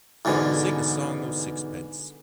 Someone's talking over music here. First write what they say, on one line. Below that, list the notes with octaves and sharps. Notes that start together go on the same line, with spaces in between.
Sing a song o' sixpence!
E2 G#2 B2 D3